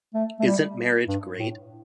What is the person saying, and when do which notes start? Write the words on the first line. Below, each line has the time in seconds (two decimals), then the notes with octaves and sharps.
Isn't marriage great?
0.14 A3
0.39 A3
0.46 G3
1.08 G2
1.39 A2